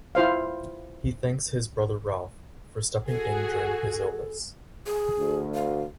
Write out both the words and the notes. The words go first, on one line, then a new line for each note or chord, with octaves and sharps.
He thanks his brother Ralph for stepping in during his illness.
E4 F4 C5 F5
F#4 G#4 A4
G#4
D2
F5